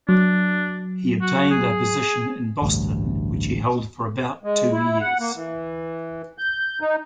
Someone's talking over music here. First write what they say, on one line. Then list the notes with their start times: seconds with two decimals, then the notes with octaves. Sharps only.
He obtained a position in Boston, which he held for about two years.
0.09 F#3 D4
1.22 F#4
1.51 G#4
2.62 A1 D2 G2
4.44 G#3
4.72 E4
5.01 F#5
5.20 A#3
5.35 E3
6.38 G6
6.81 D#4